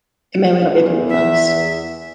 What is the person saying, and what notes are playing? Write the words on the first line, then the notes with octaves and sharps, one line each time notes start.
It may or may not be equipped with flaps.
E2
E5